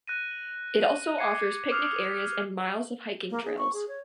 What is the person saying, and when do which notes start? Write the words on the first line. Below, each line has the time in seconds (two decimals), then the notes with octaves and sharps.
It also offers picnic areas and miles of hiking trails.
0.07 F#6 A#6 D#7
1.18 D6 G#6 C7 C#7
1.71 D6 D#6 F6 F#6 C7 F7
3.30 A#3
3.44 G#4
3.58 C#6
3.73 G#4
3.88 C#5